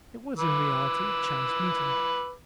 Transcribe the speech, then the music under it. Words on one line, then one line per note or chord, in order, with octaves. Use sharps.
It was in reality a chance meeting.
B4 D6 E6